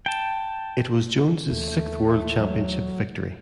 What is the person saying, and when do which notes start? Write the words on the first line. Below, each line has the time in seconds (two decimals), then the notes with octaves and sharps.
It was Jones' sixth World Championship victory.
0.06 G5 A5
1.48 D#2 E3 A3
2.39 F#3